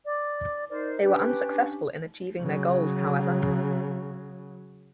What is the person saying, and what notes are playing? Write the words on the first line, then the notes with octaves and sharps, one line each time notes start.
They were unsuccessful in achieving their goals, however.
D5
D#4 A#4 C5 D5
C#4 D4 G4 B4
C#3 F#3